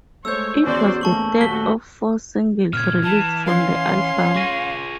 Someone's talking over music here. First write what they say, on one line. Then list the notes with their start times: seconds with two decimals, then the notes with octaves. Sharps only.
It was the third of four singles released from the album.
0.25 G#3 A3 C5 C#5 E6 G6
0.63 E2 C#4 F#4 C5 D5
1.01 A3 A#3 A5 C#6 F#7
1.41 D#1 F#3 A3 F#4 B6 G7
2.73 A#2 C#3 F6 G#6
3.04 E3 A5
3.46 C#4 F5 C6
4.36 F4 G#4 C#6 A#6 D#7